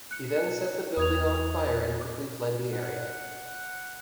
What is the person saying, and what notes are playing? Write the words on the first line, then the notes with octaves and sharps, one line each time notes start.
He then set the building on fire and quickly fled the area.
F#6 C#7
E2 D#6 G#6 F7
F#5